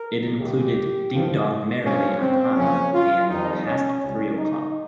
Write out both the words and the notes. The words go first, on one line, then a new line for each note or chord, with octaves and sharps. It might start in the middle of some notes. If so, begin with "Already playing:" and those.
It included "Ding Dong Merrily on High" and "Past Three O'Clock".
Already playing: A#4
D#2 C#3 G#3 G4
G2 F3 C4
G2 F3 A#3 C#4
C4
F2 C#3 F3 A#3 C#4
F4
F2 D#3 G3 D#4
C#4
C#2 C3 G3 C#4
D#4